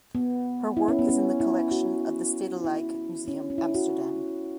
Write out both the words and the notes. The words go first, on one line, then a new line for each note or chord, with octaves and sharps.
Her work is in the collection of the Stedelijk Museum Amsterdam.
B3
E4
C#4
B3
C#4
E4
F#4
E4
C#4
C#4
E4
F#4